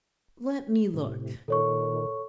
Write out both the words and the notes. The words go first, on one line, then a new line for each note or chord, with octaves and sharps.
"Let me look."
A2 C3
A#2 D#3 A4 C#5 C#6